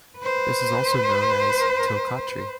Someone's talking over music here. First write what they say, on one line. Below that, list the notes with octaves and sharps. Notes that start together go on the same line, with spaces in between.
This is also known as "Tilkatri".
B4 C5